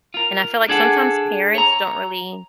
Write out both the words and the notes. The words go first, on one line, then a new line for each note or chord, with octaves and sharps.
And I feel like sometimes parents don't really
F4 A#4
D4 G#4 A4 F#5
C#5 A#5